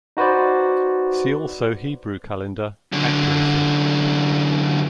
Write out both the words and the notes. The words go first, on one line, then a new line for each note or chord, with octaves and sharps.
See also Hebrew calendar: Accuracy.
D#4 F#4 B4 C5 D5
F#2 D3